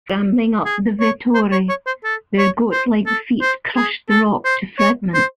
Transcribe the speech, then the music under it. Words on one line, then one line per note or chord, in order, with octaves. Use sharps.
Scrambling up the Vettore, their goatlike feet crushed the rock to fragments.
G#4
C#5
C5
C#5
C#5
C5
A4
C#5
C5
A4
C5
G#4
A4
C5
C#5
C5